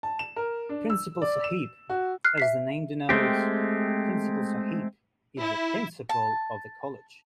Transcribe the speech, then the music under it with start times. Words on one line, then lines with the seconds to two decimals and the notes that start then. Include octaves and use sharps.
Principal Sahib: As the name denotes, Principal Sahib is the principal of the college.
0.03 A5
0.19 E7
0.36 A#4
0.69 D4
0.90 E6
1.22 D5
1.44 E7
1.90 F#4
2.24 F6 F#6 C7
2.38 E5 B6 C7
3.09 G#3 A3 C4 G4
5.40 E4
6.09 A5